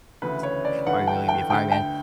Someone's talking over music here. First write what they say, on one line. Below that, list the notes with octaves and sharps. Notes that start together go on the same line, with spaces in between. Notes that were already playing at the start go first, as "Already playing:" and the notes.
honestly, are you really gonna be a fireman?"
D2 C#3 E3 B4
C#5
D5
G1 G2 E3 F#5
G5
G5
D2 D3 G5
G5